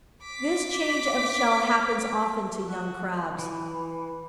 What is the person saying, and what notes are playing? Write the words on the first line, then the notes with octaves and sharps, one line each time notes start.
This change of shell happens often to young Crabs.
D6 B6
F#4
E3